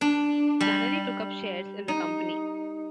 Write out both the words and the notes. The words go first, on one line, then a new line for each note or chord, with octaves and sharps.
Flannery took up shares in the company.
D4
G3
D#4